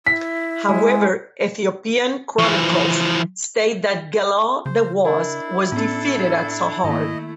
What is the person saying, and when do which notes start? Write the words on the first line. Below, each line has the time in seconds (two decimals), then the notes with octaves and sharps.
However, Ethiopian chronicles state that Gelawdewos was defeated at Sahart.
0.06 E4 B6
0.68 G#3
2.39 E3 F3
4.66 C#3 C5
5.05 D4 E4 A#4 D#5
5.72 A2 B3 C#4 D4 A4
6.84 G#2 D#3 A3 A#3 E4 D#5